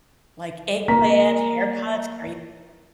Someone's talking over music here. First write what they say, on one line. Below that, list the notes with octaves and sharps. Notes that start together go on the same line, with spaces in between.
like eggplant, haircuts, kara
A#3 A#4 A#5 B6